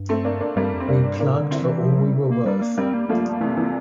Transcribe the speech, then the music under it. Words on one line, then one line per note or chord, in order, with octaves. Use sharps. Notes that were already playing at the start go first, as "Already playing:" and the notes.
We plugged for all we were worth.
Already playing: G2
A3 C4
A#3 D4
A#3 D4
G2 G3 A#3
F2
C4
F2 A#3 D4
G2
A2 A#3 D4
D3
C4 E4
E3
F3
G3
A#3
G3 A#3 D4
A#3
G3 A#3 C4
A#3
F3 A3 A#3
A#3
C3 E3 A3
A#3
C3 E3